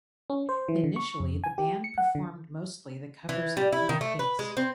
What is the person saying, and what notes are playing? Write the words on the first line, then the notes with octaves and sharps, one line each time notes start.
Initially the band performed mostly the covers of beat hits.
C#4
C5
E3
D3
C#6
F2
G#5
G4
C#7
F#5
D3
E3
G3
E4
D#3
A3
B4
G#3
C4